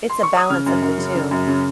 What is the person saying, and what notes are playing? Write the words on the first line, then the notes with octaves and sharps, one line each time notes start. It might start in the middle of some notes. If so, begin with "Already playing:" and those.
It's a balance of the two.
C6
C#6
D#6
C#3 F6
F#2
F#2
C#3
C#3
F#2
C#3